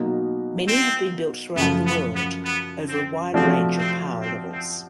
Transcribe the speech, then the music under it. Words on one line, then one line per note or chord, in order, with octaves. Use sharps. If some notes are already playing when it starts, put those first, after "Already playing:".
Many have been built throughout the world, over a wide range of power levels.
Already playing: B2 F#3 A#3 D#4
C4
F#2 C#3 F3 A3 B3
B3
B3
B3
C4
C3 F3 A3 C4 D4 F#4
C4
C4
C4